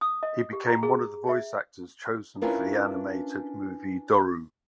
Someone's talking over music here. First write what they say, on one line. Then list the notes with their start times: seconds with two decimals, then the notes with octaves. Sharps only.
He became one of the voice actors chosen for the animated movie "Doru".
0.01 D#6
0.23 D#5
0.53 G4
0.67 A#5
0.83 G#4
1.29 E5
2.41 C#4 D4 E4 F4 A#4 B4